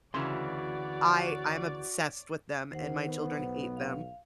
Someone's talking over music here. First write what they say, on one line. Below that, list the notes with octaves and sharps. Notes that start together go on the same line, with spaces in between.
I I'm obsessed with them, and my children hate them.
D2 C#3 E3 F#4 C#5 D5 C6 D6
D#2 D#3 C5 F#5
B3
B1
F5